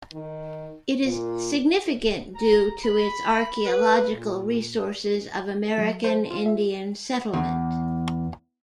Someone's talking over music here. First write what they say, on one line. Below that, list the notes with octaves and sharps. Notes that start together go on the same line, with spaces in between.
It is significant due to its archaeological resources of American Indian settlement.
D#3
A#2
A#5
B5
B4
A#2
F#3
C5
F4
E5
E2